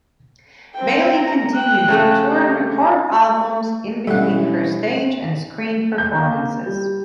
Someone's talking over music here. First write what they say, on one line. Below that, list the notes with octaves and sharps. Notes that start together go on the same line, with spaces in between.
Bailey continued to tour and record albums in between her stage and screen performances.
C4 G5
A#5
G5 F#6
C#3 A3
G4
G2 B2 E3 G3 A3 C#4 E4 F#5
G6
A#3
G3